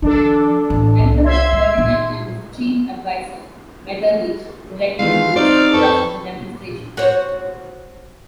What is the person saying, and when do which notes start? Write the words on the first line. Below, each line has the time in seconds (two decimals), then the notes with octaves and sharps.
Emperor Ferdinand and his chief advisor Metternich directed troops to crush the demonstration.
0.02 D#3 F3 D4 A4
0.70 A1 E3
0.99 C2
1.24 E5 C6 G#6
1.53 G#3
1.78 A#2 D#4
4.99 D#3 E3 G#3 F4 F5
5.36 C4 D#4 C5 D5 F5
5.73 F2 A4 B4 C#6
6.97 F#4 C5 C#5